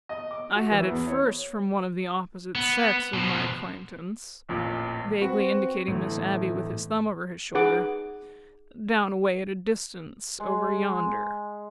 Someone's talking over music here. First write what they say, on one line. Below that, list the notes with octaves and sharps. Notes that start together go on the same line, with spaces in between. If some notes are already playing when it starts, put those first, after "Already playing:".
I had it first from one of the opposite sex of my acquaintance,' vaguely indicating Miss Abbey with his thumb over his shoulder, 'down away at a distance, over yonder.'
D#5
D6
F#4
E3
E2
C#5
B3
B2 F3
A1 F2 A#2
C4 F#4 B4
G1 A2 E3 A3
D#4 G#4 B4 F#5 D6
G#3